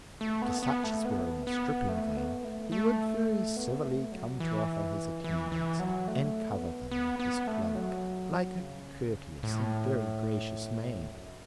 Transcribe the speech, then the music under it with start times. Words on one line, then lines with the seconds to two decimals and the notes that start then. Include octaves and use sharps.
To such as were in the stripping vein he would very civilly come to offer his attendance, and cover them with his cloak, like a courteous and very gracious man.
0.21 A3
0.42 B3
0.63 B3
0.84 A3
1.05 B3
1.47 B3
1.89 A3
2.17 B3
2.44 A3
2.72 A3
3.57 B3
3.84 A3
4.12 F#3
4.40 E3
5.24 E3
5.52 E3
5.79 F#3
6.08 A3
6.50 B3
6.92 B3
7.20 B3
7.47 A3
7.75 F#3
8.59 C#3
9.43 A2
11.11 F#2